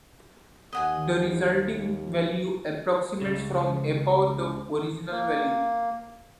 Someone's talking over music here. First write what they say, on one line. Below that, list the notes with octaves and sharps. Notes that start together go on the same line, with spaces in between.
The resulting value approximates from above the original value.
D#2 D#5 F#5 G#5
C#2 C#3
A#3